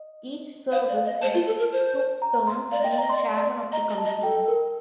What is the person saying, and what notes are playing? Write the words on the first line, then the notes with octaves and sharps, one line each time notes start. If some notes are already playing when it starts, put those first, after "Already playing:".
Each service head took turns being chairman of the committee.
Already playing: D#5
C5 F5
D5
F5
D#5
C5 A5
F4
A4
A#4
C5
A#5
A#5
C6
D5 F5
D#5 G5
D5
D#5 A#5
D5 C6
D#5
D5
D#5 A#5
D#5
A5
D#5
A4 G5
A#4